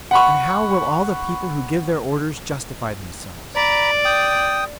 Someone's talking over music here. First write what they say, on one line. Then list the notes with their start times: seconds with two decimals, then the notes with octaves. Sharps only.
And how will all the people who give their orders justify themselves?
0.11 F#5 B5 C#6
3.56 D5 A#5 B5
4.05 G5 D#6